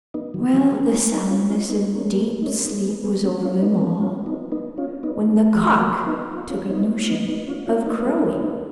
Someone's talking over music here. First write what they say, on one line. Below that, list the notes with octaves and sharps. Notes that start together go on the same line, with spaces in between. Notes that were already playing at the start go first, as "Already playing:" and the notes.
Well, the soundness of deep sleep was over them all, when the cock took a notion of crowing.
B3 D#4
D#3 F#3
D#3 F#3
G#3 B3
B3 D#4
B3 D#4
C#4 F4
C#4 F4
B3 D#4
A#3 C#4
G#3
A#3
G#3 B3
D#4
A#3 C#4
B3 D#4
G#3 B3
G#3 B3
A#3 C#4
C#4 F4
B3 D#4
B3
A#3 C#4
C#4 F4
B3 D#4
B3 D#4
C#4 F4
B3 D#4
G#3 B3
F3 G#3
F#3 A#3
B3 D#4
F4
C#4 F4
C#4
B3 D#4
F4
B3 D#4
B3 D#4
C#4 F4
C#4 F4
B3 D#4
G#3 B3
D#4
A#3 C#4
B3 D#4